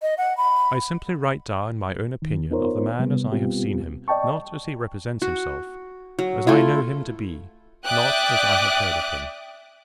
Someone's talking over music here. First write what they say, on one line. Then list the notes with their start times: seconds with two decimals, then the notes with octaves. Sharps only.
I simply write down my own opinion of the man as I have seen him, not as he represents himself; as I know him to be, not as I have heard of him.
0.02 D#5
0.18 F#5
0.37 B5
2.22 D#3
2.51 B3 D#4 F4 A#4 C5 C#5
2.99 C3 G3 B3
3.32 B2 G3 B3 C4 F4 G4
4.08 D5 D#5 G5 A5 C#6
5.22 F#4
6.19 F#3
6.47 A3 E4 F4
7.86 D5 E5 G5 D6 D#6 F#6